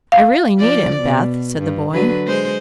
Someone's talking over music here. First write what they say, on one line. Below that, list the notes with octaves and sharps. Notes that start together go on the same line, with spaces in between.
"I really need him, Beth," said the boy.
F5
F3 D5
B2
G2
D3 F#3 B4
G#3 C5